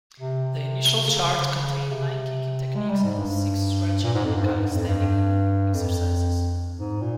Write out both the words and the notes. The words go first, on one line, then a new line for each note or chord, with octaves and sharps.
The initial chart contained nine kicking techniques and six stretching and calisthenic exercises.
C3
C#3
C3
G#3
G3
G#2
G2
A#2
G#2
F2
G2
G#2
G2
F2
G2
F2
G#2
A#2